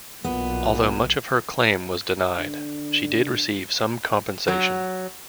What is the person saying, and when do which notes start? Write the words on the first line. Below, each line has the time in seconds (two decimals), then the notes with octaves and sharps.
Although much of her claim was denied, she did receive some compensation.
0.24 B1 A#2 B3
2.38 D3
4.48 F#3